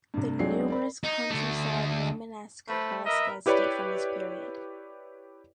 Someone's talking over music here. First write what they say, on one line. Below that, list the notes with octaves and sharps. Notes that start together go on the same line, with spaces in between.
The numerous countryside Romanesque basilicas date from this period.
G2 C3
B1 F#3 G#3 C4 D4 C7
A#4 D5 B5
D#4
D2 A3
A3 B4 C5
A#4 B4 D#5 E5
E4 G4 B4 C#5 D5 B5